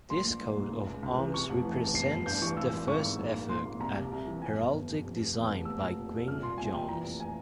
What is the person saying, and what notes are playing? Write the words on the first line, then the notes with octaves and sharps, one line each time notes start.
This coat of arms represents the first effort at heraldic design by Gwynn-Jones.
A#1 C6
A#1
A#1
G#2
C#2
C#2
C#2
E3
C3 C#6
F1
E3
F1
G1 C7
G1
G2 G6
E3 C#6
G#1 E6
G#1
G#2 C#6
G#1
G#2
A#1
A#1 C6
A#1
C2 A#5
C3
C2
E3
F2 G#5
G1
G1
F2
F1
F1
E2
F1
A#2 E6
A#2
A#2
A#2
C2 F6
A#2 C6
C2 G#5
A#2 G5
E3 A#5
F1
G#5